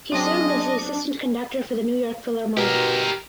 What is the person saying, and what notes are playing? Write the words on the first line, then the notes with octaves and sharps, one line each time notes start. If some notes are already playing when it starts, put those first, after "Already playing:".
He served as the Assistant Conductor for the New York Philharmonic.
F#3 G#3 C4 D4 D#5
B2 G4 A#4